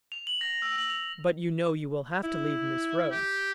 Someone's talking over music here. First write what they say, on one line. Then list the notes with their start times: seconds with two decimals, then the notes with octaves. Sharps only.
"But you know you will have to leave Miss Rose."
0.12 F7
0.27 F#7
0.41 A#6
0.62 E6
0.76 F#7
0.90 F7
2.24 E4
3.11 G4